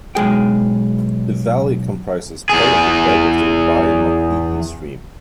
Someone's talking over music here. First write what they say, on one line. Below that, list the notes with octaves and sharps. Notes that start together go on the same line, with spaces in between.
The Valley comprises part of the bed of the Wai-Mapihi Stream.
B1 G#3 G#4 G5
E2 G#4